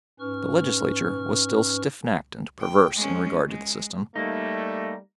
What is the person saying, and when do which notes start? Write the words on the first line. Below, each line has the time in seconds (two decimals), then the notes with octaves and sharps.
The Legislature was still stiff-necked and perverse in regard to the system.
0.20 G#2 C#4 B4 C#6 F6
2.61 G5
2.95 G#3 C#4
3.49 G#3
4.16 G3 A3 A#3 D#4